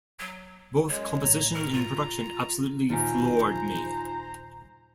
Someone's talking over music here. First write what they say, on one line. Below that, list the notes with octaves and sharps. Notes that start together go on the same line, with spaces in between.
Both composition and production absolutely floored me.
F#3
F#2 G#3 C#5
A2 E3 A#5
A#4
F4
E2
D#2 A#2 D#4 F4 C5 G#5 A#5